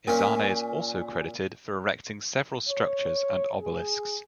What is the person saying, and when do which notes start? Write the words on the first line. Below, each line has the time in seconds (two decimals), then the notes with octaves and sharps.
Ezana is also credited for erecting several structures and obelisks.
0.08 A#2 C#4
2.69 C#5
3.61 G#4